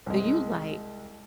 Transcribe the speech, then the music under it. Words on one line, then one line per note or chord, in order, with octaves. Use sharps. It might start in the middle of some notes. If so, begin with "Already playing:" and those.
Do you like
C2 G#3